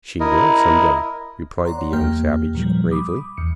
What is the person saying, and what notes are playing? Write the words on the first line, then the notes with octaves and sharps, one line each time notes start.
"She will, some day," replied the young savage, gravely.
E4 A#4 D#5
C#5 D5 F#5 A#5 C6
E2 A#3 G4 G5 F6
A#2 F3 G3
B5 D6 D#6
E2 C#7